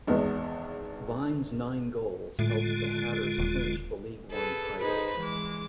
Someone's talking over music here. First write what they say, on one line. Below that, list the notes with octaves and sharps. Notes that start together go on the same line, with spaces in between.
Vine's nine goals helped the Hatters clinch the League One title.
G#1 E2 B3
A2 D3 G#3 F4
D#1
G#4 A4 B4
D#4 G#4 B4 C5
E3 G#3 D6